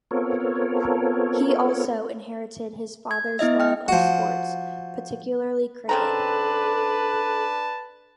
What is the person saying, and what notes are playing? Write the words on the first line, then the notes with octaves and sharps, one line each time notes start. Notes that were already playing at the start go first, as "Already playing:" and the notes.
He also inherited his father's love of sports, particularly cricket.
B3 C4 F4 A4 A#4 C#5
G#6
B3 E4 D#5 E5
G5 F6
F3 F#4
C#3 C4 D4 A4 B4 A5 A#5